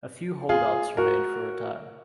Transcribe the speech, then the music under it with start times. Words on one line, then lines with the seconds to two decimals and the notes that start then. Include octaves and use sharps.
A few holdouts remained for a time.
0.49 F4 G#4
0.97 F#4 A#4